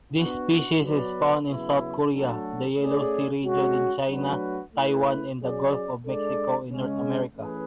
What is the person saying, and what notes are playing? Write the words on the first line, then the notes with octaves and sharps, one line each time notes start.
This species is found in South Korea, the Yellow Sea region in China, Taiwan and the Gulf of Mexico in North America.
B3 D4 F#4
F#3 B3 F#4 B4 D5
C#3 F#3 B3 E4
F#3 A3 D4 F#4 A4
A3 C#4 G#4 D5
G#3 C#4 F#4
F#3 A3 D4 F#4 B4
A3 E4 B4
F#3 C#4 G#4 D5
G#3 D4 A4 D5
C#3 G#3 C#4
E3 A3 C#4 G#4 B4